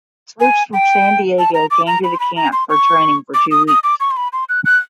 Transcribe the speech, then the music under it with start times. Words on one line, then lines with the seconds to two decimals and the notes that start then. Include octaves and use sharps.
Troops from San Diego came to the camp for training for two weeks.
0.40 G#5
0.73 G5
1.39 A5
1.55 A#5
1.71 D6
1.87 A#5
2.04 B5
2.14 C6
2.20 B5
2.37 A#5
2.53 C6
2.70 C#6
3.34 D6
3.51 D#6
3.68 D#6
3.84 D6
4.00 C#6
4.11 C6
4.17 B5
4.33 C6
4.49 F#6
4.65 F#6